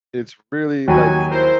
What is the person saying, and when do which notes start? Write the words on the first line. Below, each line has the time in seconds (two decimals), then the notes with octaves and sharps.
it's really like
0.88 D#2 F#3 F#4 G#5
1.30 E4 A#4 C5